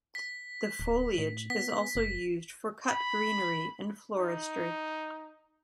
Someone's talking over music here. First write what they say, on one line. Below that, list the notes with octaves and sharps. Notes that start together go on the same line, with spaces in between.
The foliage is also used for cut greenery in floristry.
B6
D1
A2
B3 B6
F#1
B5
D#4